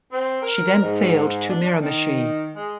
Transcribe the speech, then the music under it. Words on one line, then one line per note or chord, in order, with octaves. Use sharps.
She then sailed to Miramichi.
C4
A#4
G#2
D4
D#3
G#3